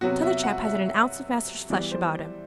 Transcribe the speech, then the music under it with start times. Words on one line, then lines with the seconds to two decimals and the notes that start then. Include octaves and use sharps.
T'other chap hasn't an ounce of measter's flesh about him.
0.01 C3 F#3 B3 F#4
0.23 E5
0.43 F#5
0.65 E5
1.70 E3 G3 B3 D5
1.91 C5